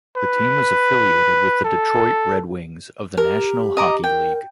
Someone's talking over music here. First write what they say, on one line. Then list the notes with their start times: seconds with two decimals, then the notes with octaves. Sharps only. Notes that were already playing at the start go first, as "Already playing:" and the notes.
The team was affiliated with the Detroit Red Wings of the National Hockey League.
0.17 B4
1.65 A4
3.17 G4 A#4
3.77 D#5 A#5 D6
4.04 A#4 G5